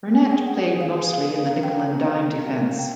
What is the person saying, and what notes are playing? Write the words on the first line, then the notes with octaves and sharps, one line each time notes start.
Burnett played mostly in the nickel and dime defense.
G#4 G#5
G5
G#4 F#5
F5
F5
A#4 F5
G5
F5
A#4
F5
G5